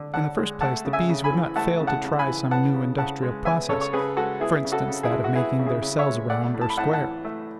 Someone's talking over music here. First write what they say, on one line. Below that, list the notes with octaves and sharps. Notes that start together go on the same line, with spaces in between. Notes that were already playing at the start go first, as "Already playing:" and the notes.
In the first place, the bees would not fail to try some new industrial process; for instance, that of making their cells round or square.
Already playing: D3
D3 F#5 A5
G#3
A3 F#5 A5
C#3
E5 G#5
C#3
G#5 B5
E3
A3 F#5 A5
C#3
F#5 A5
C#3
G#5 B5
E3
B3 F#5 A5
C#3
C#3 F#5 A5
G#3
B3 E5 G#5
C#3 A4 C#5
C#5
C#3 G#4 B4
G#3 F#4 A4
B3 E4 G#4
C#3
F#4 A4
C#3
E4 G#4
G#3
F#4
B3 E4 G#4
C#3
E4 G#4
C#3
C#5 E5
G#3
A3 D5 F#5
A2
A5
B5
A2 F#5 A5
F#5 A5
E3
A3